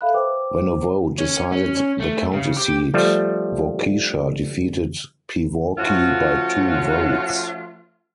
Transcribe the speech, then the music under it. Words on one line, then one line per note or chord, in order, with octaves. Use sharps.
When a vote decided the county seat, Waukesha defeated Pewaukee by two votes.
A4 E5 F5 B5 F#6
B4 C5 G5 D6
C#4
C#4
C#4
A3
C#3
G4
F3 G3 A3
F3 A3 C#4 F4 F#4